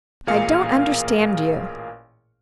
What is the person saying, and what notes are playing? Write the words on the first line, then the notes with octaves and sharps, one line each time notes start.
"I don't understand you."
A1 A#2 G#4 A#4 F5 C#7